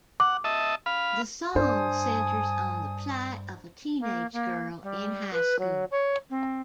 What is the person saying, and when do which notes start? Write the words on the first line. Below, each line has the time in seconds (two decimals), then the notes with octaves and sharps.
The song centers on the plight of a teenage girl in high school.
0.20 F#5 D6
0.44 D#5 E5 A5
0.86 F5 B5
1.55 G2 D4 C5 D5 G#5 A5 D#6
4.00 A#3
4.33 A#3
4.83 G3
5.33 B4
5.59 F#3
5.91 C#5
6.30 C4